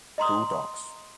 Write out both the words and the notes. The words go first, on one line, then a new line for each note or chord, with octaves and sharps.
Two dogs.
D#5 A#5 C6 D#6